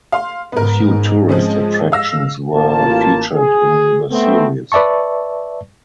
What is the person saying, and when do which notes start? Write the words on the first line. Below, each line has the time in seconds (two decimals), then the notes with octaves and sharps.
A few tourist attractions were featured in the series.
0.12 F5 C6
0.52 G#2 B3 A#4
0.89 G#2 G#3
1.29 F3 G#3 C4 C#4
1.92 F5 E6 A#6
2.54 A1 A#3 F4 A5
3.35 G#4
4.11 A3 B3 C4
4.72 B4 D5 E5 A5 C#6